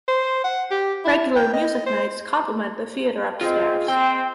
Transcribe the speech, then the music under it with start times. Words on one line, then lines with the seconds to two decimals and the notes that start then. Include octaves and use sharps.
Regular music nights complement the theatre upstairs.
0.08 C5
0.44 F#5
0.71 G4
1.05 E4
1.36 G5
1.54 D#5
1.86 C5
3.41 C4 F4 G#4 D#5
3.88 A#3 C4 G5